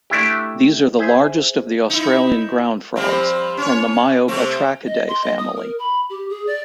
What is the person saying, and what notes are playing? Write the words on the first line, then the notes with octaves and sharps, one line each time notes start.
They are the largest of the Australian ground frogs, from the Myobatrachidae family.
A3 D4 E4 G4
G#4 C5 E5
D#4 E4
F3 G3 C4
C#4 C#5
C3 A3 C4
D#5
C6
D#5
D#6
A#4
B5
G4
G#4
D5